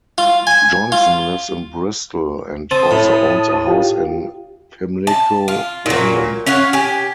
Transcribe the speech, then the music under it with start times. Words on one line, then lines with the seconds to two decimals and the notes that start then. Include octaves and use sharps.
Johnson lives in Bristol and also owns a house in Pimlico, London.
0.18 F4
0.47 G#5
0.92 F4
2.71 C4 A5 D#6
2.91 A2
3.67 F4 G4
5.07 A5
5.48 F4
5.86 A#2 F#3
6.46 C#4 C#5 F5 F#5
6.73 G4 G#5